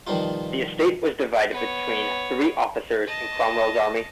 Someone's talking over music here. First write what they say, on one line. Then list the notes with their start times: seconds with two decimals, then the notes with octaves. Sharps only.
The estate was divided between three officers in Cromwell's army.
0.07 B2 D#3 F3 G3 D#4 F4
1.52 B3 C#5
3.07 D#5 A5